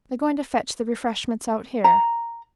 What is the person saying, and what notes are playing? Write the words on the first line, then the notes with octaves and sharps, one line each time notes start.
"They're going to fetch the refreshments out here."
A#5